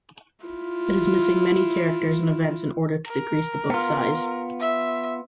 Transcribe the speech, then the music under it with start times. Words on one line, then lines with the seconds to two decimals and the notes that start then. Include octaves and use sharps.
It is missing many characters and events in order to decrease the book's size.
0.45 E4 F4
3.07 A#4
3.70 B3 F4
4.60 E5